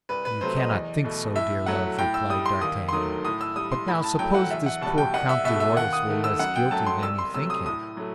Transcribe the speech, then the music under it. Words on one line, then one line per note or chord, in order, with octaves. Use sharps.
"You cannot think so, dear love!" replied d'Artagnan; "but now, suppose this poor Comte de Wardes were less guilty than you think him?"
C2 B4
B4
C3 F#3 A3 C5
D#5
E2
B2 A3
A2 E5
F#3 A3 F#5
A2 G5
E6
G3 D#6
C6
D#2 D#6
C6
D#3 F#3 A3 D#6
A2 D#6
E6
G3 D#6
C6
A2 B5
A5
F#3 A3 G5
F#5
E2 E5
F#5
B2 G3 A5
G5
C2 F#5
E5
B2 A3 E5
E5
D#2 F#5
D#6
D#3 A3
E6
F#2 F#5
G5
F#3 A3 A5
C6
C2 E6
C6
C3 F#3 A3 E6
D#6
A2 D#6
F#3 A3